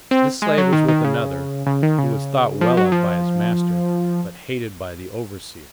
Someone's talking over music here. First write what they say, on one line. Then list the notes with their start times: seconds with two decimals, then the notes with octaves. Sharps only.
This slave was with another, who was thought well of by his master, but hated by the overseer.
0.11 C4
0.42 G#3
0.58 F#3
0.73 D#3
0.88 D#3
1.05 C#3
1.66 C#3
1.83 D#3
1.98 C#3
2.61 F3
2.77 F#3
2.92 F3